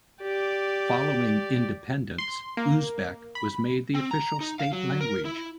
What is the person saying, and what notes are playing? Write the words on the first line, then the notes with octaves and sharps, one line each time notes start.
Following independence, Uzbek was made the official state language.
G4 D5
C6
A#3
B5
C4
A#5
D#4
F5
F#3
A#4
E4